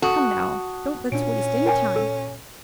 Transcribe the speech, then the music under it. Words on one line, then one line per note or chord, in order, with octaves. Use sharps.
Come now, don't let's waste any time.
F#4 A4 A5 D#6
A#2 C#4 D4 D7
A#4 G5 G#5
A4